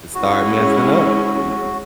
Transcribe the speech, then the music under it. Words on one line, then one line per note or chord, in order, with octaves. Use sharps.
and started messing up. Y yes,
G#3 C#4 E4 F#4 G#4